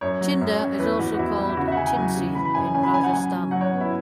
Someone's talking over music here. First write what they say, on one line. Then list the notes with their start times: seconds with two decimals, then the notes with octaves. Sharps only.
Tinda is also called "tindsi" in Rajasthan.
0.01 F#2 C#5
0.21 F#3
0.41 F#2
0.60 C#4
0.79 E2 B4
0.99 E2 F#4
1.14 F#4
1.18 E2 E4
1.38 E2
1.49 E4
1.57 C#3 F#4
1.68 E5
1.72 F#5
1.77 C#3 G#5
1.87 G#5
1.96 F#3
2.16 C#3
2.35 E3 B5
2.45 B5
2.55 F#2 G#5
2.75 C#4 G#5
2.83 B5
2.93 C#4 G#5
3.03 F#5
3.12 F#3 G#5
3.32 F#3
3.51 F#3 F#5
3.61 C#5
3.72 B3
3.80 E4